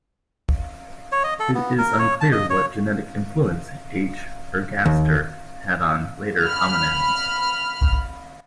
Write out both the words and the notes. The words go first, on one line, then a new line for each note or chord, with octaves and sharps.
It is unclear what genetic influence "H. ergaster" had on later hominins.
C#5
D#5
A4
B3
A#4
C#5
A5
D#5
C#5
D#2
B5 F6